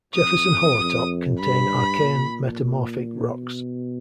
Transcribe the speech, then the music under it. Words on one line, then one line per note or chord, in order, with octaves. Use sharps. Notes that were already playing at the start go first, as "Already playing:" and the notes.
Jefferson-Hollowtop contain Archean metamorphic rocks.
F2 D#6
F2
G2 B5
A#2
B2